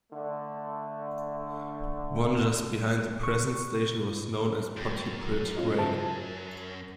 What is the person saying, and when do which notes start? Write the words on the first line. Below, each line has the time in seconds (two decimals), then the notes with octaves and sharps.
One, just behind the present station, was known as Pontypridd Graig.
0.12 D3 A3
3.23 C#6
4.77 F#2 G5 A5
5.56 C#4 F4 D#5
5.78 C#3 C5 E5 A5